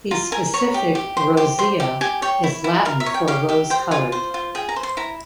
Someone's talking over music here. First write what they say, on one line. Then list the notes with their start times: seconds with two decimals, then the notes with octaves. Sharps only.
The specific "rosea" is Latin for "rose-coloured".
0.11 F4 A#5
0.32 A#4 G#5
0.54 C#5 A#5
0.74 G4
0.95 G4
1.17 C5 C6
1.37 G4 C6
1.59 C5 C6
1.80 G4
2.01 G4 G#5
2.22 C#5 G5
2.44 E4
2.64 E4
2.85 A#4 F5
3.00 E5
3.06 C#5
3.14 G5
3.28 G4 F5
3.49 G4 E5
3.70 C5 G5
3.91 F4 G#5
4.12 C5
4.34 F4
4.55 G#4 G5
4.69 A#5
4.76 C5
4.83 C6
4.97 E4 A#5